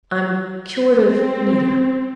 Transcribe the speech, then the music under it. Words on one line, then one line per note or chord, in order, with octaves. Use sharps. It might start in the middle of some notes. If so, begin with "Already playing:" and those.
I'm cured of--Nita.
C4